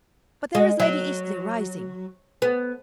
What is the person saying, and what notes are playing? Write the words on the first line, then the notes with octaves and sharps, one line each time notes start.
But there is Lady Eastleigh rising.
G#3
F#3
B3